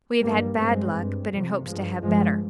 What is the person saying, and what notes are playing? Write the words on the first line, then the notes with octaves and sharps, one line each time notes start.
We have had bad luck, but in hopes to have better.
G2 G3 A#3
G2 G#3 C4
G2
F2 C3
G2 F3 G#3
G2 F3 G#3